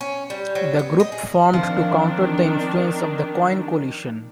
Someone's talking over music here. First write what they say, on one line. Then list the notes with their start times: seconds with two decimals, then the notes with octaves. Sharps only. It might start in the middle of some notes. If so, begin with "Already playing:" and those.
The group formed to counter the influence of the Coin Coalition.
0.01 C#4
0.30 G3
0.55 F#3
0.79 B3
1.00 D#5
1.12 G#4
1.53 D#3 F3 C4 D4